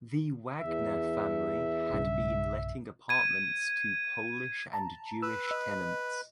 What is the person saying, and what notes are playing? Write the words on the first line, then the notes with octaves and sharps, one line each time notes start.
The Wagner family had been letting apartments to Polish and Jewish tenants.
E2 E5
B1 G2 C#3
G#6 D#7
A5 A#5
B4 E6
D#5